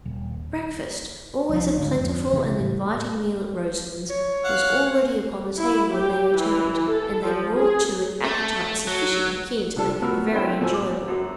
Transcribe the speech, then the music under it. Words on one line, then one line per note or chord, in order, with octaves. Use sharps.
Breakfast--always a plentiful and inviting meal at Roselands--was already upon the table when they returned, and they brought to it appetites sufficiently keen to make it very enjoyable.
D#1
C2 F3
G#1 D2
F2 A#3
B1 C#3 E3
A2
C#5
F5 F#5
E4
G4
E3
A4
F3
G#4
A3
F#3
C3 F3 D4 A4 A5
A2 F3 B3 F#4 A#4 E6
B3 C4 D4 E4 C5 G5
A#2 A3 C5 G#5 E6
D6
F#2 F#3